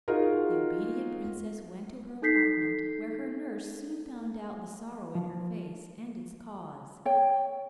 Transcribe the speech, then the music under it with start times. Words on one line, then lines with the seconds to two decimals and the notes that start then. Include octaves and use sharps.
The obedient princess went to her apartment, where her nurse soon found out the sorrow in her face, and its cause.
0.08 D#4 F4 F#4 G#4 A#4
2.22 D#4 A4 G6 B6 C7
5.15 F3
7.06 C#5 G5